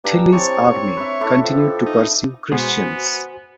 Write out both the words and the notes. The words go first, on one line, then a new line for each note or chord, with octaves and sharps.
Tilly's army continued to pursue Christian's.
G2 D4 G#5 A#5
C2 C4 C#5 A5
B4 E5
A3 D4 E4 A4
F2
D#4
B2 G#3 B3 F#4 C5 G#5